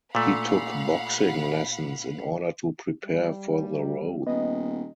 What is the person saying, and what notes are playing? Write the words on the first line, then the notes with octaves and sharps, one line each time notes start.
He took boxing lessons in order to prepare for the role.
A#2 A3 F5 F#5 B5
G3
D#1 B3 D#5